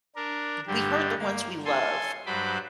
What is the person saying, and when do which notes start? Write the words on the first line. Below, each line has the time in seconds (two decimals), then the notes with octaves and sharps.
we hurt the ones we love,
0.16 D4 A#4
0.67 G2 D3 G4
1.19 A#3
1.65 A4 G#5 C6
2.26 G2 F#3 C5 B5 D6